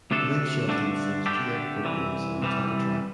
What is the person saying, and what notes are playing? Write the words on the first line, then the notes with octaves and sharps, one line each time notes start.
Blake Shelton sings duet vocals on the title track.
D2 C3 A3 D4 A4
G2 D3 A3 D4
D3 A3 D4 G4
C2 C3 E3
C2 C3 E3 G3